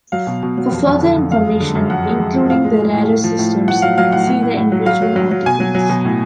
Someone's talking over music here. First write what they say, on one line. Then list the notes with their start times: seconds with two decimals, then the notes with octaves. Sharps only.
For further information, including the rarer systems, see the individual articles.
0.12 F#3 F5
0.27 B2
0.43 B2
0.58 F#3
0.72 F2
0.87 F2
1.01 D3
1.16 F2
1.31 F#2 F5
1.47 G#3
1.60 D3
1.75 F#2
1.90 F2 F#5
2.05 G#3
2.20 F2
2.34 F3
2.50 A2 F5
2.65 G#3
2.79 G#3
2.93 A2
3.09 A2
3.24 F3
3.39 A2
3.53 F3
3.68 A2 F#5
3.82 F#3 F5
3.98 F#3 F5
4.13 A2 F#5
4.27 A2
4.43 A2
4.57 A2
4.72 F#3
4.86 F#3 F5
5.02 F#3
5.16 F#3
5.31 F#3
5.46 B2 G#5
5.60 F#3
5.75 F#3
5.90 B2
6.05 A2